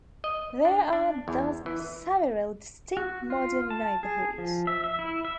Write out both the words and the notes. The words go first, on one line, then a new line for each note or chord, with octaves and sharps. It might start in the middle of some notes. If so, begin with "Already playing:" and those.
There are thus several distinct modern neighborhoods.
D#5
D4
D4
E2
E3
F#4
F4
A5
G#4
F3
E5
E5
E4
E5